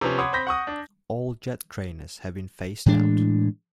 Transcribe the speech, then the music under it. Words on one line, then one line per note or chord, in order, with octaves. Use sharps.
All jet trainers have been phased out.
C3 F3 B3 C#4
C#5 F#5 B5 C6 D6 D#6
C4 C5 B5 G6 A#6 B6
F#5 C#6 D#6
D4
A2 E3 G#3 D4